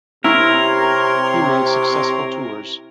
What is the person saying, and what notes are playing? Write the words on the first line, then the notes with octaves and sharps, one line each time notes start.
He made successful tours.
C3 E4 A#4 C#5 C6